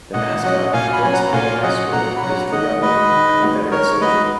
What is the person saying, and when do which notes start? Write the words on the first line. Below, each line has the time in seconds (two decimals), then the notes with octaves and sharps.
The mascot of Quartz Hill High School is the Rebel, a confederate soldier.
0.13 A#2 D#5 F#5
0.43 F#3 C#4 D#5 F#5
0.73 A#2 F5 G#5
0.93 G#5 B5
1.03 F#3 C#4 G#5
1.13 F#5 A#5
1.25 A#5
1.32 A#2 F5 G#5
1.62 F#3 C#4 D#5 F#5
1.92 A#2 F#5 A#5
2.16 B5
2.22 F#3 C#4 F#5 A#5
2.52 D#3 D#5 F#5
2.82 G#3 D#4 F#4 B4 D#5
3.11 D#3
3.42 G#3 D#4 F#4
3.71 D#3 A#4 C#5
4.01 G#3 D#4 F#4 B4 D#5